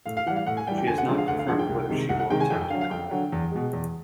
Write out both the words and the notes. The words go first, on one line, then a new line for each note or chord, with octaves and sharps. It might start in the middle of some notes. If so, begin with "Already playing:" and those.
She has not confirmed whether she will attempt a comeback.
A2 F5
F5
E3 G3 F#5
F5
A2 F#5
G#5
E3 G3 G5
G5
D2 G#5
F#5
D3 F3 G#3
F5
D2 F#5
F5
D3 F3 G#3 F#5
G5
C2
C3 D#3 G#3
C2 F#5
F#5
C3 D#3 G#3 G5
G#5
F2 G5
G5
D3 F#3 F5
F5
F2 G5
D3 F#3
E2
B2 G#3
E2